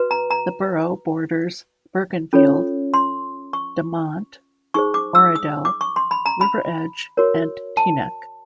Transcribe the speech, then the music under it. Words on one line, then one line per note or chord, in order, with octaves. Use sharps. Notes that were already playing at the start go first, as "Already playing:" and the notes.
The borough borders Bergenfield, Dumont, Oradell, River Edge and Teaneck.
Already playing: F#4 B4
A#5
A#5
C#4 F4 A4 C#5
C6
C#6
D#4 G#4 C5 C#6
D6
E6
D#6
D6
C#6
C6
B5
A#5
B5
F#4 A#4 C#5
A5